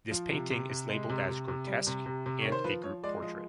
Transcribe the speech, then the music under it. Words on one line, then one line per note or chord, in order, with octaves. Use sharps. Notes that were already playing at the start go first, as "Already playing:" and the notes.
This painting is labelled as "grotesque" and "a group portrait".
F3
C3
C3
C3
G#3
C3
C3
C3
G3
C3
C3
C3
D#3 C#5
C5
F3 B4
F3 C#5
G#3 D5
F3 D#5